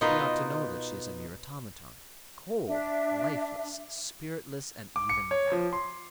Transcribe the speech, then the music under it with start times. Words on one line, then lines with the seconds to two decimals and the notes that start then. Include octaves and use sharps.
He ought to know that she is a mere automaton, cold, lifeless, spiritless, and even vapid.
0.01 B2 D#4 F4 A#4 B4 D#5
2.68 D4 E5
4.96 D6
5.09 C#7
5.31 C#5
5.52 F3
5.73 C6